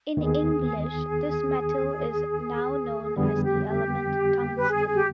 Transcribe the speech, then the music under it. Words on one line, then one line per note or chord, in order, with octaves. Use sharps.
In English, this metal is now known as the element tungsten.
D#2 D#3 B3 G#4
F2 D3 G3 B3 G#4
G4
G4
B4
G#4
G#4
G4